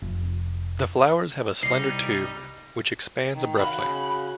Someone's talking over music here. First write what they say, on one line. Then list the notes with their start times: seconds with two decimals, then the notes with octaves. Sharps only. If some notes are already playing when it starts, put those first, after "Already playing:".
The flowers have a slender tube which expands abruptly.
0.02 F1
1.63 C2 G3 D#4 C7
3.36 D#3
3.58 F#4 F5 B5
3.79 C#3